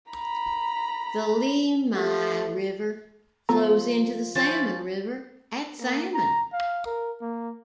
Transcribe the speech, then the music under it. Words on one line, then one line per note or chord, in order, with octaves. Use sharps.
The Lemhi River flows into the Salmon River at Salmon.
A#5 B5
A3 G4 F#5 B6
F3 B3 F4 A4 A#5
F3 C#4 C5 A6
A#3
A#5
F5
A#4
A#3